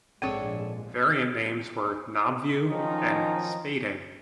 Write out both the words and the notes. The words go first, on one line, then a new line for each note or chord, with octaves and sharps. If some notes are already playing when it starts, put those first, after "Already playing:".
Variant names were "Knobview" and "Spading".
A#1 G#2 C4 D4 G#4 A4 C#5
D#3 F3 F#3 C#4 D#4